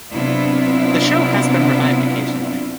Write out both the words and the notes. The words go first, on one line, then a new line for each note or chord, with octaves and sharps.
The show has been revived occasionally.
C3 F#3 B3 D4 E4 F4